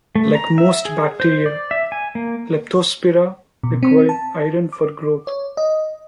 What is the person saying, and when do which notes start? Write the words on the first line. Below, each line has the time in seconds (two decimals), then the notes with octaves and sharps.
Like most bacteria, "Leptospira" require iron for growth.
0.15 A3
0.35 A#5
0.58 E5
0.85 G#4
1.20 C5
1.46 D5
1.71 E5
1.92 G#5
2.15 A#3
3.63 B2
3.83 C4
4.09 A5
4.72 D6
5.27 C#5
5.57 D#5